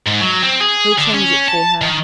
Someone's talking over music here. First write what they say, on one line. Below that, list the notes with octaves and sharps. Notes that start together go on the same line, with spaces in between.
He'll change it for her.'
G#2
F#3
C4
G#4
D3
C#4
A5
D#3